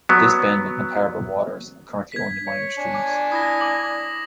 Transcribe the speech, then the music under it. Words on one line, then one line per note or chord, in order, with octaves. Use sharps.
This bend, and comparable waters, are currently only minor streams.
F#3 B3
G#6 B6
C#5
D4 G#5
D6
E4 D#6 A#6
D6 A#6 F#7